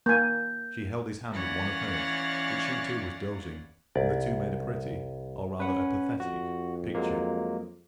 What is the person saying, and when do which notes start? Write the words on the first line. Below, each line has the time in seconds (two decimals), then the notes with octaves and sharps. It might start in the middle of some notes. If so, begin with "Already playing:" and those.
She held his hand in one of hers, but she too was dozing, and the two made a pretty, or rather a pathetic, picture.
0.06 A#3 G#5 G6
1.32 E3 C#4 C#5 D5 F5 F#5
3.95 C2 D5
5.60 C#4 B4 F#5
6.20 F2 F#4
6.95 F#3 G#3 A#3